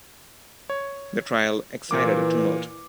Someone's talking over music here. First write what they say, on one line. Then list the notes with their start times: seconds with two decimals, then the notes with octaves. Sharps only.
The trial excited a tumult.
0.70 C#5
1.91 A#2 E3 A#3 D6